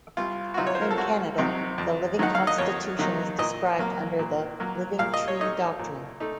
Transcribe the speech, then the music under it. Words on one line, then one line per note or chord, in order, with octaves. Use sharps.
In Canada, the living constitution is described under the "living tree doctrine".
C2 F4
F#4
C3 F#3 C4 D#4 F4
C#5
C5
A#4
A4
C2 F#4
C3 F#3 C4 D#4
F2
D#3 F#3 A#3 D#4 F#5
F5
D#5
F2 C#5
D#3 F#3 A#3 D#4
A#2 D#5
F#3 A#3
A#2
F#3 A#3
A#2 F5
D#5
C#5
A3 D#4 D#5
A#2
A3 D#4